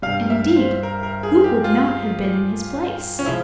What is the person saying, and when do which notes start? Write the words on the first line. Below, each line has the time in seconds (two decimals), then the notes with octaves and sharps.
And indeed who would not have been in his place?
0.02 G2 G3 F5
0.30 E5
0.56 C5
0.83 A#4
1.03 A#4
1.23 G#4
1.44 G4
1.64 F4
3.19 C#4
3.26 C#3 F3 G#3 E4